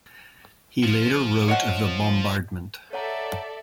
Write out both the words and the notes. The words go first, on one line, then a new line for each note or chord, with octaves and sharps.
He later wrote of the bombardment.
F3
C#5 D#5 F#5
A4 C#5 D5 E5 F#5 A#5